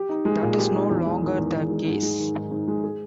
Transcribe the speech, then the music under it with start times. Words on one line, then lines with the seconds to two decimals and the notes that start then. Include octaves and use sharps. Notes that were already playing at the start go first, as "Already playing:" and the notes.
That is no longer the case.
Already playing: G4
0.09 D#4
0.25 G#3
0.42 A#2
0.58 G4
0.74 D#4
0.90 E2
1.06 G#3
1.23 D#3
1.38 E2
1.54 E2
1.71 G#3
1.87 G#2
2.03 G#3
2.19 D#3
2.35 G#2
2.51 G#2
2.68 G#3
2.84 G#4